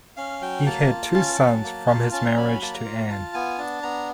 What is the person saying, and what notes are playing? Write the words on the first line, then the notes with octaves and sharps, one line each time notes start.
He had two sons from his marriage to Anne.
C#4 F5
F#3 G5
A#3 A5
F4
C#4
F#3
A#3
F4
C#4 A5
A#5
F#3 B5
A#3 A5
A#5
F4
F4 A5
B3 G#5
D4 A5
B3 A#5